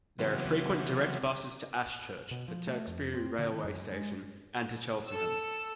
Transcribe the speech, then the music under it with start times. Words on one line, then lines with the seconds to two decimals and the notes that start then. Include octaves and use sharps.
There are frequent direct buses to Ashchurch for Tewkesbury railway station and to Cheltenham.
0.19 C#3 E3 F#3 G3 B3 C4
2.31 B2
2.48 F3
2.67 A3
2.87 F2
3.14 C4
3.38 D3
3.53 D#3
3.64 F#2
3.92 G#3
5.06 A4 E6